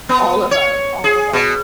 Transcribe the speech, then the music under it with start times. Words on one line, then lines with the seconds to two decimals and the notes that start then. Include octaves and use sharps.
All of 'em, all of 'em.
0.09 B3
0.51 C#5
1.04 G#4
1.33 B2